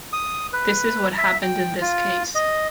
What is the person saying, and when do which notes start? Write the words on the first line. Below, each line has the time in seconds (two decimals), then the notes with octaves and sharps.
This is what happened in this case.
0.13 D#6
0.53 B4
1.18 E5
1.42 G5
1.81 F4
2.35 D#5